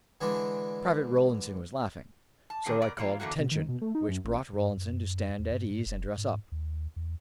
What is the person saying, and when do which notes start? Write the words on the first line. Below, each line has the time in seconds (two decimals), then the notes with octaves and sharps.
Private Rollinson was laughing, so I called "Attention!" which brought Rollinson to stand at ease and dress up.
0.21 D3 E3 G#3 D4
2.50 A5
2.65 A#2 D3 D#3 C4 G#4 C5
2.82 B2 A#4 D5
2.98 E3 A#3 F4 C#5
3.20 D3 E3 A3 A#3 F#4
3.40 B2
3.51 D#3
3.69 B2
3.82 A3
3.95 D#4
4.09 F#2
4.25 A1
4.53 G2
4.77 F#2
4.93 F#2
5.39 E2
5.52 G2
5.71 G#2
5.86 F1
6.18 G#2
6.52 D#2
6.96 E2